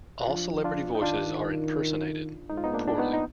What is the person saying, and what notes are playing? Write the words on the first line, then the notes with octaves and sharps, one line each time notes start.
All celebrity voices are impersonated - poorly.
F#4
F3 D4 F4
D4 F4
D#4
D#3 D4 F4
G#2 D#4
F4
B3 D#4
A#3 D4
D4
B3 D#4
D#4